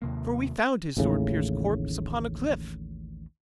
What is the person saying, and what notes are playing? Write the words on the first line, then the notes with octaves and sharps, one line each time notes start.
For we found his sword-pierced corpse upon a cliff.
D#2 C3 A#3
A1 D#2 A2 C#3